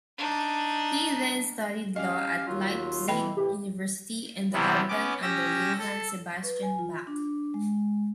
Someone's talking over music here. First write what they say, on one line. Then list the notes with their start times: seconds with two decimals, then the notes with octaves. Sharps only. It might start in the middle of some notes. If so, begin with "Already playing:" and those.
He then studied law at Leipzig University and the organ under Johann Sebastian Bach.
0.17 D4 D#4
1.96 C#4 G4 D#5 F5
2.47 D#2 F#3 F4
3.08 B2 E3 D#5 G5 B5
3.37 A2 C3 E3 G4
4.53 C3 E3 F#3 G3 B3
4.89 B3 C#4 D6
5.22 C#4 G4 E6 A#6
5.79 A4
6.43 B4
6.63 G#5
6.79 F4
7.07 D4
7.54 G#3